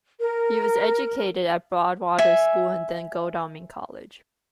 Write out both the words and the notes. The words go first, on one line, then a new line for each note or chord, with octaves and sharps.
He was educated at Broadwater School and then Godalming College.
A#4
E5 G#5